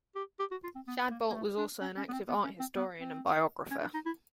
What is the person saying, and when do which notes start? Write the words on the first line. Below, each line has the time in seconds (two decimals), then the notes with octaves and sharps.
Shadbolt was also an active art historian and biographer.
0.16 G4
0.40 G4
0.51 F#4
0.64 F4
0.75 C4
0.87 B3
1.11 A#3
1.30 A#3
1.34 A3
1.58 D4
1.81 C#4
1.98 C#4
2.09 B3
2.13 C4
2.29 B3
2.44 C#4
2.60 C4
2.76 B3
3.00 C4
3.71 C#4
3.82 D4
3.94 D#4
4.06 E4